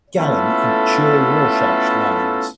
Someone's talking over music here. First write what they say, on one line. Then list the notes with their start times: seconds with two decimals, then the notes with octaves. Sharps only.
Gallen and Chur–Rorschach lines.
0.19 A3 B3 C#4 E4 F4 A4